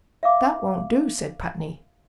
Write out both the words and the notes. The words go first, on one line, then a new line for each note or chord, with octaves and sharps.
"That won't do," said Putney.
E5 F5 D6